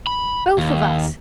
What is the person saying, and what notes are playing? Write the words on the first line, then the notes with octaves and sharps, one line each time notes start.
"Both of us!"
B5
D#2